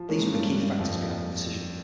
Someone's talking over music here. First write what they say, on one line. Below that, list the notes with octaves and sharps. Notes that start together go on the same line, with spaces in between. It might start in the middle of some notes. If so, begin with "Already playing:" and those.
These were the key factors behind the decision.
Already playing: F3
G#3 A#3 C#4
G2
G2
F2